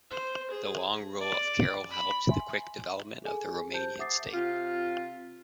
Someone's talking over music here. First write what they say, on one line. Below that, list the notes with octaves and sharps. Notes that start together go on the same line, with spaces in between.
The long rule of Carol helped the quick development of the Romanian state.
C5
G#4
D5
B5
E5 G#5 C6
G#4 A4 G#5
G4 C5 A5 G6
E5 F#5 D6 D#6 A6 C7
C3 F4